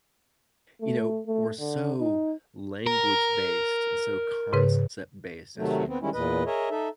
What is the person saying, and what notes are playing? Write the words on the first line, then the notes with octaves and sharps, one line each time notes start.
you know, we're so language based and so concept based as humans,
A3
A3
D3
D#4
A#4
G#2 C#3 B4
C3 D#3 F#3 A3
B3 C4
D#3 G3 G#3 C#4 E4
E2 A#2 B4 D#5
G#4 A#4 C#5 D#5 E5
D#4 A4 E5